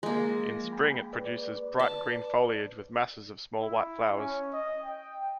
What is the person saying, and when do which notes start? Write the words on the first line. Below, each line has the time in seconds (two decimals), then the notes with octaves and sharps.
In spring, it produces bright green foliage with masses of small white flowers.
0.03 F3 G#3 A#3 A#6
0.72 G5 G#5 B5
1.13 B4 D5
1.79 A5
3.61 E4
4.17 C#4
4.53 D#5
4.83 G5